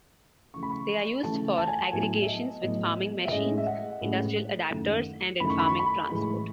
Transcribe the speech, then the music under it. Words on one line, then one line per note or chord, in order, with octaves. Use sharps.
They are used for aggregations with farming machines, industrial adaptors and in farming transport.
C#3 E3 A3 C#6
B5
C#6
C#3 E3 A3 A5
A5
G#5
A5
A2 F#3 B3 E4 G#5
E5
D#5
A2 F#3 B3 E4 D#5
E5
A2 G#3 C#4 E4 D#5
E5
F#5
A2 G#3 C#4 E4
F#2 D#3 A3 E4
F#2 D#3 A3 E4 B5
C#6
B5
C#6
B5
A2 E3 G#3 B5